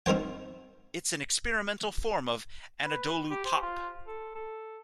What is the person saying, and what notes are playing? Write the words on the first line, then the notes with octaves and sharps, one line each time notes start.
It's an experimental form of "Anadolu Pop".
C4 D#4 A#4 C5 G5
B4
G4
C5
F4
A4
A4